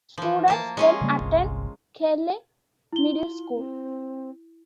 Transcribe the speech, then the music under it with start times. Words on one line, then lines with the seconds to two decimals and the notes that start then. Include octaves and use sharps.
Students then attend Kelly Middle School.
0.18 E3 F3
0.48 A#3 A5
0.77 G#3 C#4 F4
1.02 C#3 G3 A#3
1.20 G1 C2
2.93 E4 F4 G7
3.54 C4